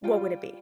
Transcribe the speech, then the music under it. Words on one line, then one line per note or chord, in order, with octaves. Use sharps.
what would it be?
G3 F4 C5 G5